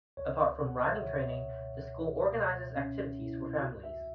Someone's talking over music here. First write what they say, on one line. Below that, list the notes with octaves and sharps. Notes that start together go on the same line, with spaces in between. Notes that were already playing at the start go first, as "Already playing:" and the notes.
Apart from riding training, the school organises activities for families.
C#2 C#5
B2 F#5
E5
C#2 C#5
B2
C#2
B2
C#2 C#4
B2 E4
C#2 F#4
E5